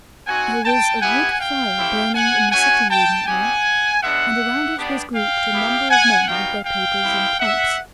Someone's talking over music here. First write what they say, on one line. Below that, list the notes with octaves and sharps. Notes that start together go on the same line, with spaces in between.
There was a wood-fire burning in the sitting-room that night, and around it was grouped a number of men with their papers and pipes.
C4 D#4 F#4 F#5 G#5
G5 A5
B3 E4 G4 F#5 G#5
F5 G5
A3 C4 E4 G4
F#5 G#5
A3 C#4 F#4 F#5 G#5
G5 A5
C4 D#4 G4 F#5 G#5
G#3 B3 D4 E5 F#5
B3 D4 G4
F5 G5
B3 E4 G4
F#5 G#5
G3 B3 D#4 F#4 F5 G5
F5 G5
G#3 C4 E4 G4
E5 F#5